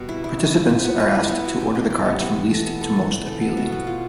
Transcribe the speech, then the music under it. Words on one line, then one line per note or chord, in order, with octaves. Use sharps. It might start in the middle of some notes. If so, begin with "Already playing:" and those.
Participants are asked to order the cards from least to most appealing.
Already playing: B2 G3
E4
E4
E4
F3
B4
B3
B4
E4
B3
B2
G4
G4
G4
B3
B3
E3
A4
B3
A4
E3
E3
A4
B3
B2
B3
F4